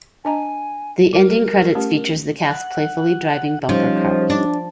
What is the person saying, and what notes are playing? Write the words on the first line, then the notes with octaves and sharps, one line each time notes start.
The ending credits features the cast playfully driving bumper cars.
D4 D#5 G#5 A#5
G3 A#4
A3 C#4 G4
F#5
F3 G3 C#4 D#4
D4